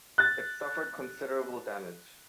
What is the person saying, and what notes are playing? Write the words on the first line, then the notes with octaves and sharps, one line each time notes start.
It suffered considerable damage.
F#6 A6